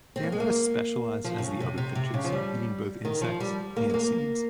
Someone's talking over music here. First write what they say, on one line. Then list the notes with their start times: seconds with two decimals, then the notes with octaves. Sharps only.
They are not as specialised as the other finches, eating both insects and seeds.
0.16 C4
0.23 A#3
0.32 G#3
0.40 A#3
1.24 F3
1.38 C3
1.42 C#3
1.60 C3
1.78 C3
1.95 C3
2.14 C#3
2.24 F3
2.32 G3
3.05 D#3
3.21 F3
3.40 G3
3.76 A#3
3.90 G#3
3.94 A#3